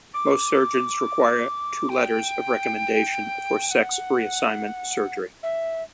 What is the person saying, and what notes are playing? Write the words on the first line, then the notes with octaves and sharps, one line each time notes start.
Most surgeons require two letters of recommendation for sex reassignment surgery.
D6
G5
G5
F#5
E5